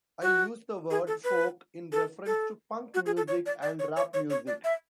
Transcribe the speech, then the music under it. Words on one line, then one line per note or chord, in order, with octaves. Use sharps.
I use the word 'folk' in reference to punk music and rap music.
F#4
G#4
A4
B4
A4
A4
F#4
G#4
A4
C#5
D5
D5
C#5
C#5
C#5
C#5
D5
E5